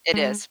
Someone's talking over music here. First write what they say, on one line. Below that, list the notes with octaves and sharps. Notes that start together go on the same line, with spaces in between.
It is.
G#3